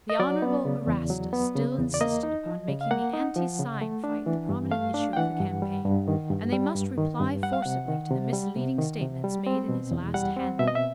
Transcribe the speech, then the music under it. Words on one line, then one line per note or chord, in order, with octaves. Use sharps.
The Honorable Erastus still insisted upon making the anti-sign fight the prominent issue of the campaign, and they must reply forcibly to the misleading statements made in his last hand-bill.
D#5
F#3 D5
B3
C#3
E2
F#3
B3
C#3
E2
D5
A#3 D#5
D#4
F3
C#3
F5
A#3 F#5
D#4
F3
C#3
A3
D4
E3
G2
A3 F5
D4
G5
E3 F#5
G2
G3
G2
D#3
G2
G3
G2
D#3
G2
G3 F#5
F5
C3 F#5
D#3
C3
G3
C3
D#3
C3
G3
C4
B2
E2
G3 F#5
C4
B2 E5
D#5
E5